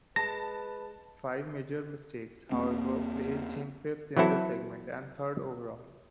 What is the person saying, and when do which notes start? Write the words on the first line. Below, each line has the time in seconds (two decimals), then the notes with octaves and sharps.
Five major mistakes, however, placed him fifth in the segment and third overall.
0.16 G#3 B4 A5 A#6
2.52 E2 A#3 C4
4.17 E3 F#3 C4 E4 A4